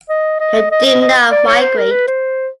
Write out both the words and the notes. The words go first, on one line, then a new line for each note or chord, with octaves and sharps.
They do not migrate.
D#5
D#5
D#5
D#5
D#5
D5
C#5
C5
A#4
B4
C5